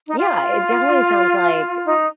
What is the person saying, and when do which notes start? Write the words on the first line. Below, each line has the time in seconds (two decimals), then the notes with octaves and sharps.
Yeah, it definitely sounds like
0.07 D#4
0.18 F4
1.85 D#4